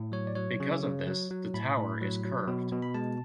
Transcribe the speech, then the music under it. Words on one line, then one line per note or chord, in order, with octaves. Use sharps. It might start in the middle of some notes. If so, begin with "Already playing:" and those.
Because of this, the tower is curved.
Already playing: A2
F#3 C#5
D5
F#3 C#5
C#3
C#3
F#3
F#3
A2 B5
A2
F#3
F#3
B2
B2
B5
G#3 A5